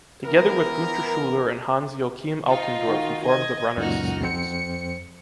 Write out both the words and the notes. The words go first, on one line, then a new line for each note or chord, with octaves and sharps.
Together with Günter Schüler and Hans-Joachim Altendorff he formed the runners' series.
E3 B3 A#4
D#4 F4
D#3 F#4
D#5 G#6
C#2 F#2 A#2 D#4 F#4 F6
F2 C4 C5 C#7